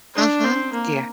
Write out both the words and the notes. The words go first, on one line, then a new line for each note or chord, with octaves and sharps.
Mhm. Yeah.
D4
C4
A#3